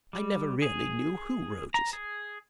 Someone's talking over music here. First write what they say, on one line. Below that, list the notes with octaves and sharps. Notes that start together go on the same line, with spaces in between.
"I never really knew who wrote it."
G3
G#4
A#5
G#4